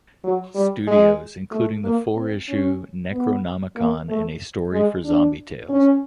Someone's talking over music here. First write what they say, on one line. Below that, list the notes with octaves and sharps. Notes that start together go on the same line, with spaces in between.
Studios, including the four-issue "Necronomicon" and a story for "Zombie Tales".
F#3
G3
G#3
A3
A#3
C4
C#4
B3
A#3
A3
G#3
D4
C#4